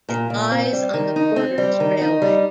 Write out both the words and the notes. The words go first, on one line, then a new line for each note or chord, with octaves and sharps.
It lies on the Borders Railway.
A#2
A#2
C4
G3
D#3
D#4
C4
G3
D#3
D#4
G3